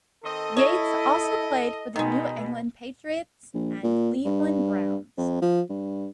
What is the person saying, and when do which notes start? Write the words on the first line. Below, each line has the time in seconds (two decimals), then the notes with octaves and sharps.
Yates also played for the New England Patriots and Cleveland Browns.
0.24 D#3 C4 A4 D#5
0.57 E4 C#5 D#5
1.96 B2 D#3 G#3 D#4
3.54 A#1
3.83 A#2
4.25 G2
5.17 F2
5.42 F3
5.69 G2